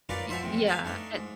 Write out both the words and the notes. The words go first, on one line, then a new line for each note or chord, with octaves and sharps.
It yeah, and
C#4 D#4 F4 A#4 B4 D5
F3 C5 E5 F#5 G#5
E2 A2 C4
B4 F5 G#5
A3 D4 D#4
G#2